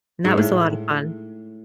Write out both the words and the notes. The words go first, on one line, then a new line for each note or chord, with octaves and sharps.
and that was a lot of fun.
G#2
A2